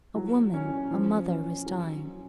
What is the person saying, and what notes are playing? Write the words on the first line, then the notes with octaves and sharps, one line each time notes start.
A woman, a mother, was dying.
F#3
C#4
F3
C#4
F#3
C#4